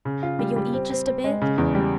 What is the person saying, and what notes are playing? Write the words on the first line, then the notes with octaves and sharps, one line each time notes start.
But you'll eat just a bit?
C#3
F4
G3
G3
C4
C4
C4
G#3
C#3
E2
G3